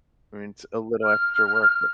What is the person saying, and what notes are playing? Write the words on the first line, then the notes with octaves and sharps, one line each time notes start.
I mean, it's a little extra work, but
F6